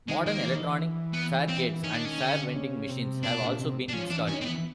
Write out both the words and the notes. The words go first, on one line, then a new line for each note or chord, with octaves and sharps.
Modern electronic faregates and fare vending machines have also been installed.
D#3 G#3
A#3
E3
D#3
E3
B3
C4
D#3 C#4
D4
C#4
D3
C#3
C3
B2 D4
A#2
C3
D4
F3 C#4
E3 D4
D#3 C#4
C4
E3 B3